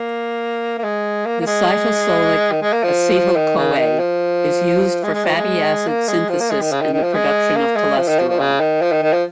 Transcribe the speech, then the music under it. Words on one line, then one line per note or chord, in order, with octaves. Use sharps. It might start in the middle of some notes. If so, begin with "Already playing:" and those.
The cytosolic acetyl-CoA is used for fatty acid synthesis and the production of cholesterol.
Already playing: A#3
A#3
G#3
A#3
A#3
G#3
D#3
G#3
A#3
F3
D#3
C#3
D#3
F3
G#3
G#3
F3
G#3
A#3
G#3
F3
A#3
G#3
D#3
C#3
D#3
D#3
F3
G#3
A#3
G#3
F3
D#3
F3
F3
C#3
D#3
F3
D#3
D#3
F3